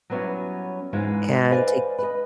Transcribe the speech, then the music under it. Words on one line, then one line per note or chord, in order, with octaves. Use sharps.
and take the
F#3 G3 B3 C#4 E4 F#4
G#2 E3 G#3 B3 F4
B4 C5 D5 D#5 F5 G#5
B4 D#5